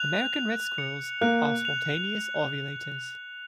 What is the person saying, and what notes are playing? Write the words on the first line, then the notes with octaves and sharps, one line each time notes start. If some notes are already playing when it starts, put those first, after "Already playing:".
American red squirrels are spontaneous ovulators.
Already playing: F#6 F7
F7
C#7
A#3 F#6
F7